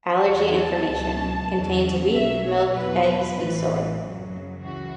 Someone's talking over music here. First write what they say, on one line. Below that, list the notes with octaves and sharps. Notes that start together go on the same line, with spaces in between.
Allergy Information: Contains wheat, milk, eggs, and soy.
E2 E3 C#5
A5
C#2 B2 F#3
E2 C#3 F#3
B1 B2 F#3 E5
C#5
E2 B2 F#3 B4
A1 A2 E3
F#2 C#3 F#3
C#2 C#3 E3 F#4